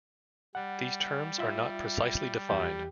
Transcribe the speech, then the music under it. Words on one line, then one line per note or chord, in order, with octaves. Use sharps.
These terms are not precisely defined.
G3 F#5
F4 E5
E2 G4 G5